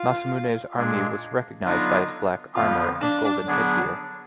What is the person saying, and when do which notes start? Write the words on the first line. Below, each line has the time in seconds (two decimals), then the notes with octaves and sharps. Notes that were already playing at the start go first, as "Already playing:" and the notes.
Masamune's army was recognized by its black armor and golden headgear.
Already playing: F4
0.75 A#2 G#3 D4 G#4
1.65 D3 F#3 B3 D4 D#4 F4
2.56 F2 D3 F3 B3 F4
3.01 D4
3.47 D3 F#3 B3 D4 G#4